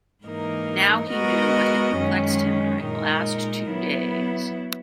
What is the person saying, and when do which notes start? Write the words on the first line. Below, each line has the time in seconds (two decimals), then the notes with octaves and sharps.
Now he knew what had perplexed him during the last two days.
0.24 G#2 E3 A#3 D#4 A#4
1.11 G#3 B3 F#4 A#4 D#5
1.96 F#2 D#3 G#3 C#4
2.83 A#2 G#3 D#4 A#4
3.69 F#3 B3 E4